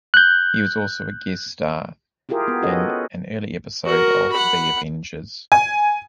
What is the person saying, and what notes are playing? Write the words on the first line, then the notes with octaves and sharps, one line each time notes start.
He was also a guest star in an early episode of "The Avengers".
F#6 G6
E4 F4 G4 G#4 A#4
B3
C#4 F#4 G4 A4 B4 D#5
F#4 A#4
F#5 B5
G#5